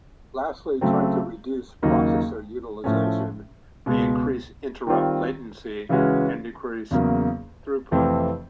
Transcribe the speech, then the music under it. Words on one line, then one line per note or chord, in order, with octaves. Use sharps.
Lastly, trying to reduce processor utilization may increase interrupt latency and decrease throughput.
C#3 F#3 A3 C4
D#2 C#3 F#3 A#3 D#4
A2 F3 A3 C#4
C#2 B2 G#3
D#3 G3 C4 F4
C#3 E3 G#3 C#4 F#4
E2 C#3 F#3 A#3
F2 C3 E3 A3 C4